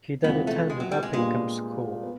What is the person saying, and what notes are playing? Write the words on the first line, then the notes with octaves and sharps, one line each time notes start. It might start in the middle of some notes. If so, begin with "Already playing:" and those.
He then attended Uppingham School.
E2 C3 F3 G#3 B3 C4
A3
G#3
F#3
G3
G#3
A#2 G3 G#3 B3 D4
B3